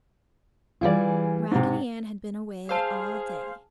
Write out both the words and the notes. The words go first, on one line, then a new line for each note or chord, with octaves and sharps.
Raggedy Ann had been away all day.
E3 G3 F4 G#4 D5
G#2 C3
G#4 C5 F5 A5 E6